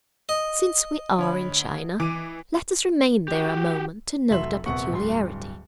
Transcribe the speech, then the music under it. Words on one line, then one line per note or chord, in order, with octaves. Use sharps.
Since we are in China, let us remain there a moment to note a peculiarity.
D#5
D2 C#5 B5
E3 D6 D#7
F#4 G4
F1 F#3 A3 E5 C6 F#7
D#1 C3 B3 F#5 C#6
D1 G2 C6